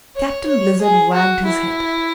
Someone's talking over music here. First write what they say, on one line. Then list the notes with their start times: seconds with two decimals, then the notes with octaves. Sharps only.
Captain Blizzard wagged his head.
0.16 C#5
0.47 C#5
0.81 G#4
1.14 F#4
1.45 E4